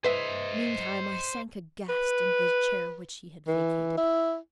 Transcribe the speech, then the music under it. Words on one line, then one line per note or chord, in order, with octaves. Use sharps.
Meantime I sank aghast into the chair which she had vacated.
B4 C5 D#5 E5
B4
E3
E4